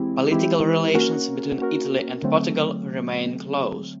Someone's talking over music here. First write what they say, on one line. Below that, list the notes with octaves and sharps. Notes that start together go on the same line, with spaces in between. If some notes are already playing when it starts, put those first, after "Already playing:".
Political relations between Italy and Portugal remain close.
Already playing: E3 G#3 C4 E4 G4
E3 G#3 C4 E4 G4
A#3 C#4 F#4 A#4
A#3 C#4 F#4 A#4
D3 F#3 A3 C4